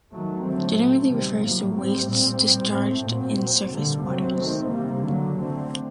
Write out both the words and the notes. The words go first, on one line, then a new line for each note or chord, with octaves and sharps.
Generally refers to wastes discharged into surface waters.
D#3 F#3 A3
D3 F#3 A3 C4
A#2 A3 C4
C3 D#3 G3 C4
A2 F#3 A#3
A2 G3 C4
A#2 G3 C4
A2 G3 C4
A2 A3 C4
A#2 F#3 C4
A#2 F#3 C4
D3 G3 A#3
C3 F#3 C4
D#3 A3 C4
C3 G3 A#3
D3 F#3 A#3
D3 A3 C4